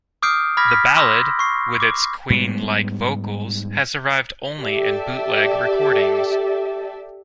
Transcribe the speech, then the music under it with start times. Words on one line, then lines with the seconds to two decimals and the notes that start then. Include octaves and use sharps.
The ballad, with its Queen-like vocals, has survived only in bootleg recordings.
0.22 D6 D#6 F6 G6 C7 D7
0.57 B5 D6 F6 G#6 A#6 B6
0.68 F6 B6
0.96 C6 D6 E6 G6 A#6
1.39 C#6 C7
1.80 D6
2.30 G#2 G3 B3
4.61 G4 A4 D5 E5